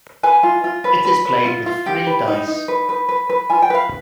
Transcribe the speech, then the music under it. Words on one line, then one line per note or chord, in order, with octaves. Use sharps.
It is played with three dice.
B4 G#5
F4
F4
B4
B4
B4
F4
F4
G4
B4
D#4
D#4
B4
B4
B4
B4
F4 G#5
G5
B4 F5